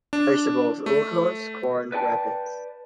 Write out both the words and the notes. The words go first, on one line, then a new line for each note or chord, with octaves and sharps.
Vegetables: Ullucos, corn wrappes.
D4
A3
B4 D5 G5 A5